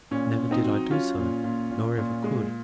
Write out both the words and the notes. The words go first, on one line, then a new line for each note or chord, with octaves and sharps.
Never did I do so, nor ever could.
A#2 C#4
A#2
C4 D#4
F#3
F#3 C#4 F4
A#2
A#2
A#2
A#2
G#3